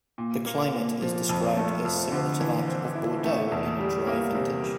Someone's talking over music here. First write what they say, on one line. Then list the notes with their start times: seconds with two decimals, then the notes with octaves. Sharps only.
The climate is described as similar to that of Bordeaux in a dry vintage.
0.18 A#2
0.46 A#3
0.74 A#2
1.02 F3
1.29 F2
1.57 A3
1.85 F2
2.12 D3
2.40 E3
2.68 C4
2.95 E4
3.24 A3
3.52 E2
3.79 G3
4.07 A#3
4.35 C3
4.62 G3